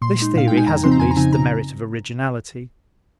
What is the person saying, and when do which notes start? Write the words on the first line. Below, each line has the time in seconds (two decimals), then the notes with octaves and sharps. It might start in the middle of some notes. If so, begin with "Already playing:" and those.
This theory has at least the merit of originality.
0.01 A#2 C6
0.19 G#3 D#4
0.35 A#2 F5
0.48 G#3 D#4 G5
0.57 G#5
0.67 F2 A#5
0.84 C#3 F3 C4 D#4 C6
0.92 A#5
1.00 F2 G#5
1.11 A#5
1.16 C#3 F3 C4 D#4 G#5
1.33 C#3 A#5